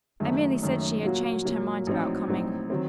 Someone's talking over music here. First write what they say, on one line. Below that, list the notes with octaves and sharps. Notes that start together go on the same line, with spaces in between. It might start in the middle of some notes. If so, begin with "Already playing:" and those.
"I merely said she had changed her mind about coming."
F#1 F#2 D#3 A3
F#1 F#2 D#3 A3
A#2 F#3 A#3 F#4
A#2 F#3 A#3 F#4
A#1 A2 F#3 C4 D#4
A#1 A2 F#3 C4 D#4
D#3 F#3 C4